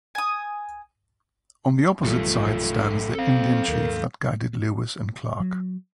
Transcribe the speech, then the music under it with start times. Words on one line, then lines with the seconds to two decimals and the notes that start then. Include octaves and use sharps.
On the opposite side stands the Indian Chief that guided Lewis and Clark.
0.15 G#5 D#6
2.04 A#1 F#2 E3 G3 A3 F4
3.15 C4 A4 F5
3.68 D#2 G#2 A#4
5.40 F#3